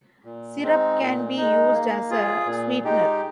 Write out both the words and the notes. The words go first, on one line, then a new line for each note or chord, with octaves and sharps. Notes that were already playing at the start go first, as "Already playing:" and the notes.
Syrup can be used as a sweetener.
A#2
G#3 C4 D#4
A#2
G#3 D#4
A#3
F4 G#4
A#2
G#3 D#4 G4